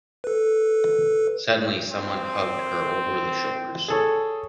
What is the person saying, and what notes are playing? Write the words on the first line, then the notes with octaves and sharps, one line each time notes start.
Suddenly someone hugged her over the shoulders.
A4 B4
C4
G#4 A4 C#5